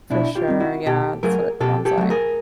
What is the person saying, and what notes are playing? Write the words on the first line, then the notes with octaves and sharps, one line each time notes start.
For sure, yeah, so, that sounds, like
B2 D4 E4
F4 G4
G3 C4
E4 F#4
B2 G4 A4
F#3 A3 G#4 A#4
B2 G4 A4
G4 A4
F#3 A3
G#4 A#4